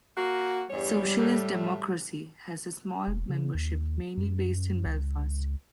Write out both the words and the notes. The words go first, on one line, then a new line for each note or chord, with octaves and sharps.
Socialist Democracy has a small membership mainly based in Belfast.
A#3 F#4
E2 G2 G3 C#5
A2 A3
E1
C#3
D#2
F#2
C#2